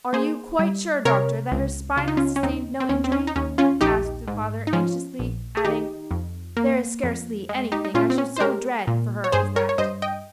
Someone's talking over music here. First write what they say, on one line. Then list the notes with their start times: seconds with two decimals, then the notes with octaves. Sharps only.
"Are you quite sure, doctor, that her spine has sustained no injury?" asked the father anxiously, adding, "there is scarcely anything I should so dread for her as that."
0.13 A#3 G#4 C5
0.59 G3
1.05 C3 A#4 C#5
1.52 C#2
1.97 C#3 F4
2.08 D#4
2.17 C#4 F4
2.36 C#4
2.43 D#2 C4 D#4
2.80 C4
2.89 D#2 C#4
3.04 C4
3.12 C#4
3.27 D#4
3.36 D#2 C#4
3.58 C#4 F4
3.81 A#1 D#4 G4
4.28 G#2
4.67 D#4
4.73 F3 C#4 F4
5.19 A#1
5.57 G#4
5.65 D#3 D#4 G4
6.11 F2
6.57 A#3
7.03 F2
7.49 G#3
7.72 D#4 G4
7.85 D#4
7.94 A#2 C#4 F4
8.10 C4
8.18 C#4
8.37 C5
8.40 G#3 G4 A#4
8.87 A#2
9.24 C#5
9.32 G2 G#4 C5
9.56 A#4 C#5
9.69 C#5
9.78 G2 C5 D#5
10.02 D#5 G5